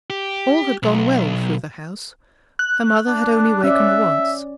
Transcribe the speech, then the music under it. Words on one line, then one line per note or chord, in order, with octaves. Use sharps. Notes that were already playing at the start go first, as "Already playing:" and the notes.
All had gone well through the house; her mother had only wakened once.
G4
B1
F#6
D4
C#4 D5 E5